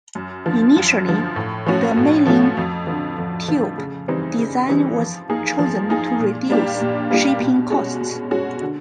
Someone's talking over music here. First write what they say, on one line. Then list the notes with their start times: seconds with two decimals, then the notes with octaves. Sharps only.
Initially, the mailing tube design was chosen to reduce shipping costs.
0.15 F#2
0.45 D3 F3
0.76 F#2
1.06 D3 F3
1.36 A2
1.67 F3 A3 C#4 F#4
1.97 A2
2.27 F3 A3 C#4 F#4
2.57 F2
2.87 D3 F3
3.18 F2
3.48 D3 F3
3.78 C#3
4.08 E3 G3 C4 D#4
4.38 C#3
4.69 E3 G3 C4 D#4
4.99 F3
5.30 A#3 D#4 G#4
5.59 F3
5.89 A#3 D#4 G#4
6.20 A#2
6.50 G3 A#3 D4 G4
6.81 A#2
7.11 G3 A#3 D4 G4
7.40 B2
7.70 G#3 C#4 F#4
8.01 B2
8.31 G#3 C#4 F#4
8.61 D3